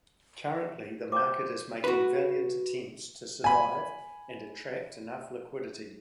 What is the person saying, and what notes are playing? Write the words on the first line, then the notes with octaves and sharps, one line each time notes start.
Currently the market is making valiant attempts to survive and attract enough liquidity.
C5 D6 G6
F#4 B4
G#5 B5